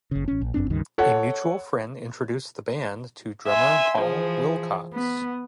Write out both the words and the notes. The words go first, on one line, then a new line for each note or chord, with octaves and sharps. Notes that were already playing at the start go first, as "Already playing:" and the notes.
A mutual friend introduced the band to drummer Paul Wilcox.
F#1 C#3
A1 C#4
A#1
G1 F#2 C4 D4
C#2 G2 D#3
A4 C#5 F#5
E5 G#5 C6
E3 F3 G#4
B3